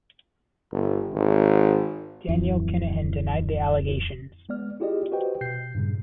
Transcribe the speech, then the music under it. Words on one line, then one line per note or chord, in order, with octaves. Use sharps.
Daniel Kinahan denied the allegations.
G1
G#1
D1 F2 E3 F#3
G#3 B3 D5 F6
E4 F4 G4 G#4 D5 D#5
F#4 G4 B4 C5 D#5 G5
B2 G6 C7
G2 A#2 C#3 G3